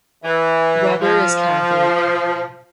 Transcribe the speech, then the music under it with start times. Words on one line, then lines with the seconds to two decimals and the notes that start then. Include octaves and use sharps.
Webber is Catholic.
0.25 E3
1.01 F3